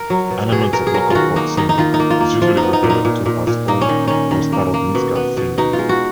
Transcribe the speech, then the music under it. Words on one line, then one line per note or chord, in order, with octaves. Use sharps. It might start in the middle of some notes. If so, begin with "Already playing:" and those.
Elements of local folk singing is usually referred to as old or "starovinska" singing.
Already playing: A#4
F#3
B2
B2 G#4
B2 A#4
G#4
F#3 A#4
D#3 F4 F#4
A#3 D#4
D#3 D#4
D#4
D#3 F4
D#4
A#3
F4
A#3
F3 F4
D#4
B3
D#4
A#2
D#4
A#2
A#2
A#2
A#3 D#4
C#4
D#3
D#3 C#4
D#3
A#3
A#3
B2
B3
B2
B2 D#4
F4
G#3
F#4